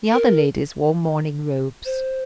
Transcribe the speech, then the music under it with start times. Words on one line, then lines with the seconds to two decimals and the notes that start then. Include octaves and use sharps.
The other ladies wore morning robes.
0.12 A#4
1.85 C5